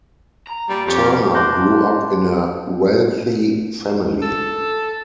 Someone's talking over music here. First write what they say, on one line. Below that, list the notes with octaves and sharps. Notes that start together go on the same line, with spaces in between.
Turner grew up in a wealthy family.
A#5
A#2 G3
F2 G4 G#4 C#5
F5
A5 C6 D6 F#6 G6 A#6
A4